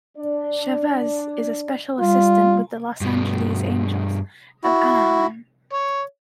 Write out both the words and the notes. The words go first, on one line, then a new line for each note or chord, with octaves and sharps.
Chavez is a special assistant with the Los Angeles Angels of Anaheim.
D4 D5
G3 F4
G2 B2
E4 F#4
C#5